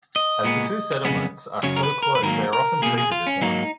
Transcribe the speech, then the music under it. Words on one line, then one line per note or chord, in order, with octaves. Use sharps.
As the two settlements are so close they are often treated as one.
D#5
A#2 G#3 B3
F2 C#3 G#3 B3
F#2 C#3 F#3 C#5
A#4
B4
A#4
B4
G#2 D#3 F#3 A#3 A#4
A#4
B2 A#3 G#4
G#4
F4
C#4
G#2 F#3 A#3 D#4